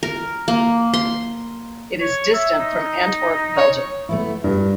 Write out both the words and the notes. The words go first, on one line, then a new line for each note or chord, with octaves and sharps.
It is distant from Antwerp, Belgium.
A#4
A#3
C6
C#5
E5
D#4
C#5
A3 B3 E4
G2 A#4